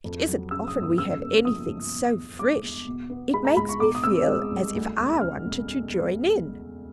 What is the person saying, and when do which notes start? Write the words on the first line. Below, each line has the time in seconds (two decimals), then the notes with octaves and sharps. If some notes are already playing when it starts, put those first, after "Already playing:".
It isn't often we have anything so fresh; it makes me feel as if I wanted to join in.
0.04 F2
0.27 F#3
0.51 C#3 E6
0.67 D#6
0.75 G1
0.83 D#6
0.98 C#3 E6
1.22 A#3
1.45 F3 D#6
1.68 D2
1.92 B2
2.16 E2
2.39 G#3 D6
2.63 E2
2.87 B2
3.10 B3
3.34 G#3 B5
3.45 A#5
3.57 C#2 B5
3.69 C#6
3.80 B2 D6
3.95 D#6
4.04 C4 E6
4.27 G#3
4.51 C2
4.74 D2
4.98 E1
5.21 C#3 F6
5.45 E1